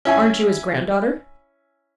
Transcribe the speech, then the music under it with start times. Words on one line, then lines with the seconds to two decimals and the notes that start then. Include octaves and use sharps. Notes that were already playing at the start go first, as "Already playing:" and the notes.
"Aren't you his granddaughter?"
0.05 C#4 E4 G#5